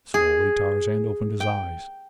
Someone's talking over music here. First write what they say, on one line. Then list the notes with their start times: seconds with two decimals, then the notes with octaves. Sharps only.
Slowly Tarzan opened his eyes.
0.14 G#4
1.40 G5